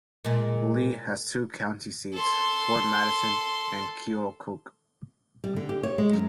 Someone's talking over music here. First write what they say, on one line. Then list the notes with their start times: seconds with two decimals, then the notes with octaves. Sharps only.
Lee has two county seats - Fort Madison and Keokuk.
0.25 A#2 G#3
2.13 A4 C6
5.44 G3
5.56 D3
5.69 G4
5.83 C#5
5.98 G#3
6.13 F#2